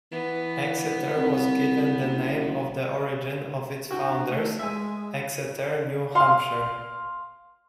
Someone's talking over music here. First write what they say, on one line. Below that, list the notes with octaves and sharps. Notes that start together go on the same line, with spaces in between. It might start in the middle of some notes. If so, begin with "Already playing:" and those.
Exeter was given the name of the origin of its founders, Exeter, New Hampshire.
E3 B3
C2
F#1
D4 F#4 G5
A3
G#3 E5 G#5
F5 C6